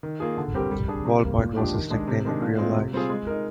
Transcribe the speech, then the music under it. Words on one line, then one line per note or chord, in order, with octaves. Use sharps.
Ballpoint was his nickname in real life.
D#3
A#3 F4 G#4
D3
G3 C4 G4 A#4
G3
D4 G#4
C3
G3 A#3
A#2
F3 G#3 D4 G4
D#3
G#3 D4 G#4
C3
D#3 G#3 D4
A#2
G#3 C4 F4
C3
G3 C4 F4 G#4
G#3
D#4 A#4